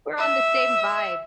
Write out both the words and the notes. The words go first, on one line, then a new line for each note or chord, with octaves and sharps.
We're on the same vibe.
E5